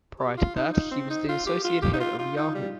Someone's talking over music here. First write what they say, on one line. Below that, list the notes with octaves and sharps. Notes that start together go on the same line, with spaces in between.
Prior to that, he was the Associate Head of Yahoo!
G4
F4
D#4
D#4
C4
D#4
F4
G4
F4
G4
D#4
F4
F4
D#4
G3